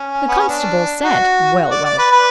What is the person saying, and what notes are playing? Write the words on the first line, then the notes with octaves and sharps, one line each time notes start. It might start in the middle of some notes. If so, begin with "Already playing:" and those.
The constable said 'Well!
Already playing: C#4
B3
C#4
D4
F#4
D5
D5
B4
B4